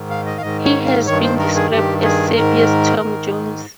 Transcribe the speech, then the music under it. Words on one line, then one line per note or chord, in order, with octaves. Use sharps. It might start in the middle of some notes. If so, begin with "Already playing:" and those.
He has been described as "Serbia's Tom Jones".
Already playing: G#2 D#3
F5
D#5
F5
G#2 D#3 D#5
C#5
F5
G2 D#3 C#5
C5
A#4
G#4
G2 D#3 G4
G#4
G#2 D#3 A#4
G#2 D#3